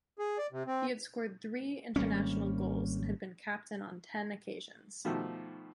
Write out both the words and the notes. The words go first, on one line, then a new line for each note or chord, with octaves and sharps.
He had scored three international goals and had been captain on ten occasions.
G#4
D5
C3
C4
G#1 G3 A#3 C#4
B2 D#3 F3 A3 D#4 G4